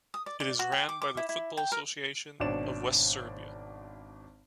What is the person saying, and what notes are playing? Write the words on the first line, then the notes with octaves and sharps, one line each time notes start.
It is ran by the Football Association of West Serbia.
D#6
D5
D5
F#4
G5
D6
D6
E4
E4
G5
A#4
G#1 B2 D4 C#5 D5 E7